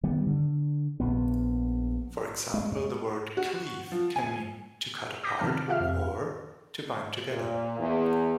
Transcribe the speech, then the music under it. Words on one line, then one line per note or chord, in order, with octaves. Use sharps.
For example, the word "cleave" can mean "to cut apart" or "to bind together".
D#3 G3 B3
D3
A#1 B3
G#3
F#4
F3
G#5
D6 D#6 G6 A#6 B6
C3 D#3 F3 A5 F6
F4 G4 E5 F5 F6
F2 F3
A#2
E2